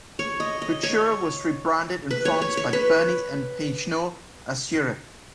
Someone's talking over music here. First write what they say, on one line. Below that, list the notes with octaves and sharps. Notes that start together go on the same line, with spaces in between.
Futura was rebranded in France by Deberny and Peignot as "Europe".
C#5
D#5
D#5
C#5
B4
C#5
C#5
C#5
B4